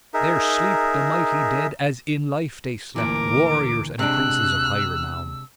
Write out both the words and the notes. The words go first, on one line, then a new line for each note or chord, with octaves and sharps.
There sleep the mighty dead as in life they slept, warriors and princes of high renown.
D#4 G#4 A#4 E5
D2 A#2 E3 A#4 D6
C3 G#3 D4 E6 F#6